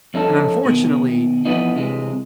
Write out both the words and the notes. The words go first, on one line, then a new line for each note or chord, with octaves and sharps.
and unfortunately,
F2 C#4 D#4 A4
B2 D#3
E3 F3 B3 C#4 D#4
C2 C3 E3 G#3